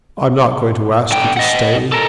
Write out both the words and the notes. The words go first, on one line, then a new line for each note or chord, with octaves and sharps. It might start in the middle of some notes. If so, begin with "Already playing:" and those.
I'm not going to ask you to stay.
D3 G5
D#5 F#5
A4 A#4